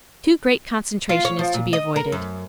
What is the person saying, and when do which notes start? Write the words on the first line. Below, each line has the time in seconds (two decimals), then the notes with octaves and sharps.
Too great concentration is to be avoided.
1.09 F4
1.25 C#5
1.39 F3
1.54 A#2
1.73 D#5
1.96 A#4
2.12 F#2